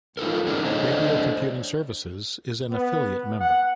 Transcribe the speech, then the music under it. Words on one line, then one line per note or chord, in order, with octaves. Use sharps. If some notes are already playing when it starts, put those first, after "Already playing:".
Radio Computing Services is an affiliate member.
D#4 F4 A4 A#4
C#4 D#4 G#4 A#4 D5
D4 G#4 A4 C5 C#5 D#5
B3
F#5